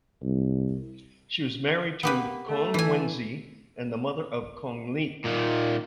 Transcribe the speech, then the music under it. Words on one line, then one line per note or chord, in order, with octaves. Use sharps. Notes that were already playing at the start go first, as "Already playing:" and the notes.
She was married to Kong Wenzi and the mother of Kong Li.
C2
A#3 B3 G4 B4
A3
E3 G#5
A#2 D#3